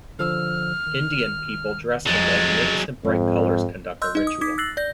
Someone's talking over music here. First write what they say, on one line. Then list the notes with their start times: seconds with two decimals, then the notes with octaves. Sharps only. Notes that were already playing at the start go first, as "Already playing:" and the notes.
Indian people dressed in magnificent bright colors conduct a ritual.
0.19 D3 F3 E6 F6
0.87 D#3
2.07 F2 F#3 G#3 A6
3.05 F2 G#2
4.02 D#5 C6 E6 F#6 G6
4.15 D#4 D#5
4.27 D#6
4.41 D#4 D6 D#6 G#6 B6
4.58 E6 F#6 A6 A#6 C7 F#7
4.77 D5 G6 A#6